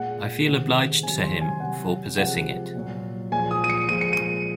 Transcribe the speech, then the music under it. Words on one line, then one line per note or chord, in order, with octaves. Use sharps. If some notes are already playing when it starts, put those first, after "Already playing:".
I feel obliged to him for possessing it.
Already playing: A#2 G#3 F#5
C3 D#3 G#3
C3 D#3 F#3 G#5
C6
G#5
C3 F#3 F#5
C3 F3 G#3 F#5
A#2 F#3
A#2 F3 G#3 G#5
D#6
D#7
C#7
A#2 F3 G#3 D#7
C#7
D#7